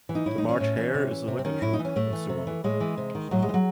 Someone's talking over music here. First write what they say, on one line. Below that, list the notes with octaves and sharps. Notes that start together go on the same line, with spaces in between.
The March Hare is a lycanthrope, and so on.
E3
D#4
A2 E4
D#4
E3 C#4
A2
E3
C3
E3
C3
C4
D#3 C#4
A2 E4
D#4
E3
C#4
A2 A3
E3
C3
E3
A2 G#3
E3
C3
D#3
A2 F#3
G#3
E3
F#3